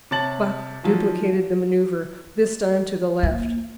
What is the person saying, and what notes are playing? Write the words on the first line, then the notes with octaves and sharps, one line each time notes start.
Buck duplicated the manoeuvre, this time to the left.
C3 C#5 A5 A6 F#7
D#3 F3 F#3
A#3